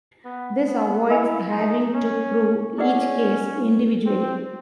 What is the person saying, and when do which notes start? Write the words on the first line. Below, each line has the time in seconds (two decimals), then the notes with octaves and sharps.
This avoids having to prove each case individually.
0.25 B3
0.67 B3
1.09 E4 A#4 D#5 G#5 B5
1.51 D#4
1.94 C#4
2.78 C#4 E4 G#4 B4 D5 F#5
4.06 C4